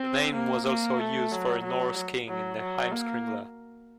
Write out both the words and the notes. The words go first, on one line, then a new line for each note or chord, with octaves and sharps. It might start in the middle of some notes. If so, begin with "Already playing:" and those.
The name was also used for a Norse king in the "Heimskringla".
Already playing: C4
A#3
A#3
A3
F#3
F#3
F#3
F#3
A#3